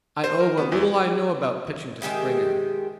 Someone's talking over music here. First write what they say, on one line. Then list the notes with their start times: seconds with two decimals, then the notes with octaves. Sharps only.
I owe what little I know about pitching to Springer.
0.24 C5
0.40 A#4
0.58 B3
0.72 E2
2.02 D#3 G#3 G4 E5